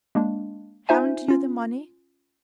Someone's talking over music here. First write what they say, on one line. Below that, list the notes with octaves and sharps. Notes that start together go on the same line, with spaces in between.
Haven't you the money?
G#3 A#3 D4
D#4 F4 C5 E5 G#5
C#4 F4